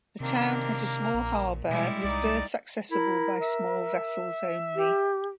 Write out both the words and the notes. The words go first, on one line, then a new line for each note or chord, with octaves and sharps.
The town has a small harbour with berths accessible by small vessels only.
C3 D#3 A#3 C4 D4
A#1 A#2
B2 G3 G#3 E4
C2 D#4 D5
E4 A#4
E5
G4